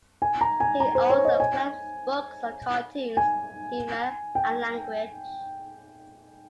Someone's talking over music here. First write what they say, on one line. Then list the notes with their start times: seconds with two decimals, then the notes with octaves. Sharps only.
He also collects books on cartoons, humour, and language.
0.22 G#5
0.41 A#5
0.60 G#5
0.80 A#5
0.95 C5
1.10 C#5
1.25 D#5
1.40 G#5
3.17 G#5
4.35 G5